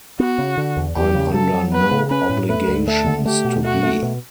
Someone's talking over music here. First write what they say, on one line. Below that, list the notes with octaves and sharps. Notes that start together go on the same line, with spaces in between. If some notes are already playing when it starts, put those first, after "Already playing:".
I'm under no obligations to be.
B3 F#4
C#3
D3
E2
E2 G4
C#3
F#3 A4
F#3
B3 B4
C#3
C#4 B4
A2
A3 B4
D2
A3 A4
D3
A3 G4
B2
A3 F#4
A3
B2